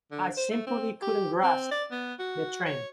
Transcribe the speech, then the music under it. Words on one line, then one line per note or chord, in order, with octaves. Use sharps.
I simply couldn't grasp the trend.
D3
C5
A3
C4
G4
C4
D5
B3
F#4
C#5